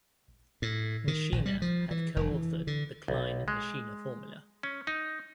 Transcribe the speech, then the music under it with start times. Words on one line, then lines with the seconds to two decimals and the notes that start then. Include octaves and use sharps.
Nishina had co-authored the Klein-Nishina formula.
0.62 A2
1.08 D#3
1.32 A#1
1.46 G3
1.62 F3
1.91 E3
2.16 F1
2.31 E3
2.67 D3
3.08 B1
3.48 G#3
4.63 C#4
4.87 D#4